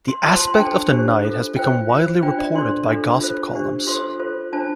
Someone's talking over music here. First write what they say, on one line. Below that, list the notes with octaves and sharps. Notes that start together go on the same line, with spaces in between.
This aspect of the night has become widely reported by gossip columns.
C6
F4 C5 A5
C6
C6
G5
D4 A4 C5 A5
D4 G4 C5
F4 A4 C5
F4 C5 G5
F4 C5
D4 F4 C5 G5
D5
D4 A4 C5 C6
D4 F4 A4
F4 A4 C5
D4 G4 C5
F4 A4 C5 C6
F4 A4 C5
D4 F4 C5 A5